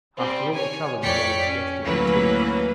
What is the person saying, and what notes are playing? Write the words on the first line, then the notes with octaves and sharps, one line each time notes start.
After all the trouble you gave us yesterday too!
G3 C4
C#5 G#5
F2 C#5 D5 G5 B6 C#7
C#4
D2 E3 F#3 A#3 C#4 B4